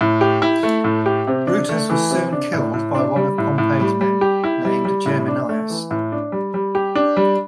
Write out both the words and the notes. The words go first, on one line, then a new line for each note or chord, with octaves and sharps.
Brutus was soon killed by one of Pompey's men, named Geminius.
A2
G4
E4
A3
A2
G4
C3
D4
A3
E3
C3
D4
A2
A2
D4
G3
A2
A2
G3
G3
G4
E4
G3
G3
A2
D4
A3
E3
A2
D4
G3
G3
G4
D4
G3